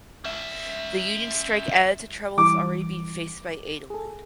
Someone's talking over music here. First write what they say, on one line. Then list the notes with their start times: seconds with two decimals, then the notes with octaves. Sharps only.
The union strike added to troubles already being faced by Adelman.
0.24 C#4 E5
2.38 E3 G3 D6
3.90 G#4 A4